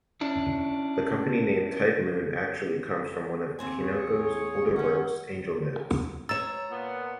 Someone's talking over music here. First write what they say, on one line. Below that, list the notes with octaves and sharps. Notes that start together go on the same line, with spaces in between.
The company name Type-Moon actually comes from one of Kinoko's older works, "Angel Notes".
C#4 D4 E4
D#2 C4 G#5
G#4 C#5
F#2 D#3 C#4 F#5
C#5 A#5 E6 A6 E7
A#2 B3